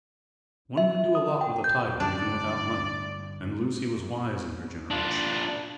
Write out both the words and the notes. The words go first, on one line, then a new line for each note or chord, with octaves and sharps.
One can do a lot with a title even without money, and Lucy was wise in her generation.
E5
D#6
G5
G6
G2 D3 D4 D5
D4 F4